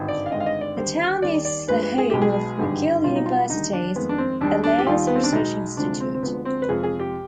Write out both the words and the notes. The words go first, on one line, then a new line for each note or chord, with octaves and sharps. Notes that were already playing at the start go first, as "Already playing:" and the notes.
The town is the home of McGill University's Bellairs Research Institute.
Already playing: G#1 G2 D3
D5
F5
G#1 G2 D3 G#3 D#5
F5
D#5
D5
D#2 D3 G3 C5
D#2 D#3 G3 D5
D5
G2 F3 G#3 B4
B4
G#4
B1 B2 G#3 G4
G#4
G#1 G2 D3 G3
B1 B2 G3 F4
D#4
F4
D#2 D3 G3 D#4
D4
F2 D#3 G#3 B3
D4
C4
D#2 D#3 G3 D4
D4
G4
D#2 D#3 G3 F4
B3
C4
D4
B1 B2 G#3 D#4
D2 C3 F3 G#3 D4
C4
C4
D2 D3 F3 G#3 B3
C4
B4
F2 C3 F3 G#3 G#4
G#4
G4